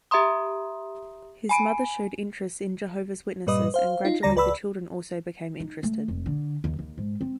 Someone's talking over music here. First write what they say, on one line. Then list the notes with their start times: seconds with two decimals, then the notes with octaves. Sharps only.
His mother showed interest in Jehovah's Witnesses and gradually the children also became interested.
0.11 G4 E5 A#5 C6 D#6
1.49 G#5 B5 D7
3.46 G2 A#2 G3 B4 D#5 D#6
3.74 C5 F5
4.05 D#4 F4
4.23 D#2 D3 G3 D5 A#5 A#6
4.36 C#2 B4 D5 B5 E6
5.60 D#4
5.83 A3
6.08 F1
6.26 D3
6.64 D#2
6.79 D#2
6.98 G#2
7.21 C4